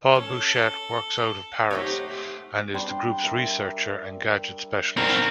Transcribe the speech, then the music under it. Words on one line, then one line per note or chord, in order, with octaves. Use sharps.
Paul Buchet works out of Paris, and is the group's researcher and gadget specialist.
C#4 A4
A3 C4 D#4 F#4 G4 C#5
G3 D4 C6
A#4 E5 A#5
C4 D4 D#4 A#4 B5